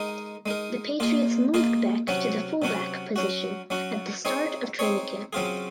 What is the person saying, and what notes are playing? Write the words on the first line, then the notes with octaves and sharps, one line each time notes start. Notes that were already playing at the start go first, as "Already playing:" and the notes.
The Patriots moved Beck to the fullback position at the start of training camp.
Already playing: G#3 D#4 A#4
G#3 D#4 A#4
A#3 F4 G#4 D#5
A#3 F4 G#4 D#5
C3 F#3 C#4 F#4
C3 F#3 C#4 F#4
F#3 C#4 F#4
F#3 C#4 F#4
C4 D#4 G#4 C#5
C4 D#4 G#4 C#5
C#3 F#3 C4 F4 G#4